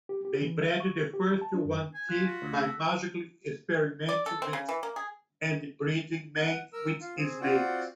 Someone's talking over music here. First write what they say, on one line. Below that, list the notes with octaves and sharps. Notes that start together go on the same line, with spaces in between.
They bred the first yuan-ti by magically experimenting with and breeding men with snakes.
G4
G4
E3
E5
C#6
G4
A5
D4
F#2
G#5
F4 F#6 B6
F#4
D2
A4 E6
D5
A4
C4
C#3
E3
A#3
G#4
F#5
A#4 E6
F4
C4 G#4
C4 F4 F#4 D5 F#5 G5